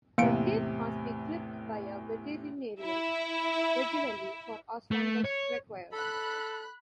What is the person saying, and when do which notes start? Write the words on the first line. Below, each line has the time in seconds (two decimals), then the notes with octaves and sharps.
The teeth must be clipped by a veterinarian regularly for as long as required.
0.18 E2 A2 C3 A#3 C#7 D7
2.82 E4 E5
4.91 A3
5.25 C#5
5.92 A4 B5 F#6